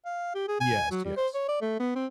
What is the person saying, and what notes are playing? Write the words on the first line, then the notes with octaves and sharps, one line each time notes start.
Yes, yes.
F5
G4
G#4
G#5
F#3
G3
C5
C#5
D5
A3
B3
C4